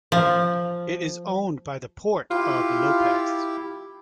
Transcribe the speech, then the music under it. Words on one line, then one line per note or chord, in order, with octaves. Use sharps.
It is owned by the Port of Lopez.
F3
E4 F4 G4